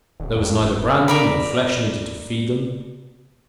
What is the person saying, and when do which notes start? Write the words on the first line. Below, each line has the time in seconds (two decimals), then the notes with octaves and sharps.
There was neither brandy nor flesh needed to feed them.
0.20 D#1
0.36 F2
0.60 F1
1.08 A#4 D5 B5